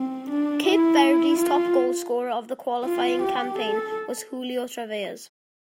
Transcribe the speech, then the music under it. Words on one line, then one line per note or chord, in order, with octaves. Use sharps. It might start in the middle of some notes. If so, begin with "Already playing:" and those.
Cape Verde's top goalscorer of the qualifying campaign was Julio Tavares.
Already playing: C4
D4
E4
F4
F4
G4
A4